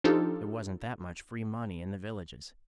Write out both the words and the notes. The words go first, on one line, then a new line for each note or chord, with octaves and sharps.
There wasn't that much free money in the villages.
F3 D4 D#4 F4 G4 A4